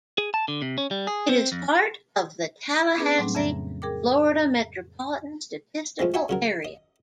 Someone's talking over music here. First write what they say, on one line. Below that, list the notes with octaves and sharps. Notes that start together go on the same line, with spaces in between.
It is part of the Tallahassee, Florida Metropolitan Statistical Area.
G#4
A5
D3
C3
C#4
G3
G#4
C4
F2
B3 C#4 D4 G#4 B4
A2 F#3 G3 A3 C4 D4
F2 C#3 E5 A#5 A#6
G#4 A#4 G5 D6
A2 F3 G#3 C4
F#4 E5 G5 G#5
C#3 F#3 A#4
D#5